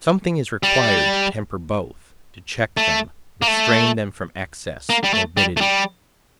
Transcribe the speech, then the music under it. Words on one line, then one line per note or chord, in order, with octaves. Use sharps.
Something is required to temper both--to check them, restrain them from excess, morbidity.
G3
A3
A#3
A3
A#3
G3
A3
G3
A3
G3